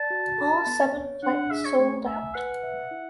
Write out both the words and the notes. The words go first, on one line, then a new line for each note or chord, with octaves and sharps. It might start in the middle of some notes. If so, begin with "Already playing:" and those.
All seven flights sold out.
Already playing: D5 A5
F#4
A4
B3
C#5
D4 F#5
G#4 E5
C#5
A3 C#5
E5 G#5
B4 F#5
E5
E4